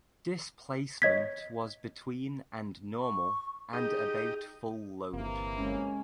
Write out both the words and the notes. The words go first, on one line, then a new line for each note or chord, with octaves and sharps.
Displacement was between and normal and about full load.
C#5 D#5 G#6 B6
C#6
D#4 G4 G#4 D#5
G1 C3 E3 A#3
G#3 C#4